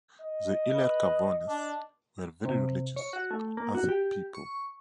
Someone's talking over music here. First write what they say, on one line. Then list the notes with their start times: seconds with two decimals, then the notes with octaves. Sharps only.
The Ilercavones were very religious as a people.
0.21 D#5
0.75 B4
1.49 D4
2.45 C3
2.96 C#5
3.13 F#4
3.31 A3
3.57 A#3
3.75 F#4
3.89 G4
4.35 C#6